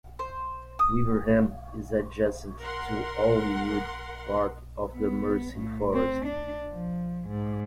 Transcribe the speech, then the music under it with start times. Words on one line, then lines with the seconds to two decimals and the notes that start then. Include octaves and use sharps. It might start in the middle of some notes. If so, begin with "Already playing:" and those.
Weaverham is adjacent to Owley Wood, part of the Mersey Forest.
0.19 C5
0.79 D#6
2.61 A#4 F#5 C6
4.95 B3
5.54 A2
5.93 C4
6.25 D4
6.70 F3
7.28 G#2